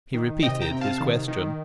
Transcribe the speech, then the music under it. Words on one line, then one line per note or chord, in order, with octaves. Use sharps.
He repeated his question.
D#3
C3 D#5 G5
G5 A#5
C3
F5 A5
D#3
D#3